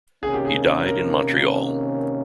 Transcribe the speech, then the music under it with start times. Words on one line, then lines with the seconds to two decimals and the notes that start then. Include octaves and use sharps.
He died in Montreal.
0.23 C3 D#3 A#3 C#4 G#4
0.34 G4
0.45 G#4
0.86 A#4